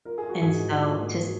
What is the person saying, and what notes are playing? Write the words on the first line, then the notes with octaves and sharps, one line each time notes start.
And so to
F4 A#4
G#4
F4
F#4
G#2 G#4
G#2
F4
A#3
F3 F#4